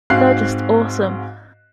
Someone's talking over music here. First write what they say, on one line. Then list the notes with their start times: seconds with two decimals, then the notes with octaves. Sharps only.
They're just awesome.
0.10 G#2 C4 F#4 F5 F#6 C7